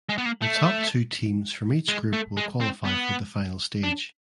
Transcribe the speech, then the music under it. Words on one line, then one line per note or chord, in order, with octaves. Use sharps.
The top two teams from each group will qualify for the final stage.
G#3
B3
A#3
A3
G#3
A3
G#3
C4
B3
D4